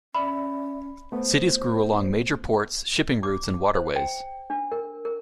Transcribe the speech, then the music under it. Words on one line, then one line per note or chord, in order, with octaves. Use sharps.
Cities grew along major ports, shipping routes, and waterways.
C#4 D5 E5 B5
A3 B3 C5
D6
C5
G5
D4
A#4
A#4